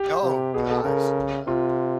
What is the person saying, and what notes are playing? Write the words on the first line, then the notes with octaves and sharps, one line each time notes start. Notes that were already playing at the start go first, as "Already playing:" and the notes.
Oh, gosh, yeah.
Already playing: G4
C3
B2 G#4
A4
C#3 A#4
C3 F4